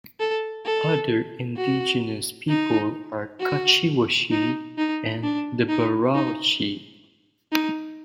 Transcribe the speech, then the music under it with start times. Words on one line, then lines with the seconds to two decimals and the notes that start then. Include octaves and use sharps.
Other indigenous people are the Kociewiacy and the Borowiacy.
0.20 A4
0.66 A4
1.57 F#4
2.49 D#4
3.40 F#4
4.32 D#4
4.78 D#4
5.23 D4
5.69 D#4
6.15 D#4
7.52 D#4